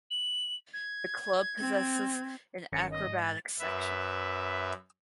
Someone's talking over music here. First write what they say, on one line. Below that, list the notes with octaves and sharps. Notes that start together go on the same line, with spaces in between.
The club possesses an acrobatics section.
F#7
G#6
C4
G1 D#3 C#4 C#7
D#5
G#2
A6
F#2 B4 E5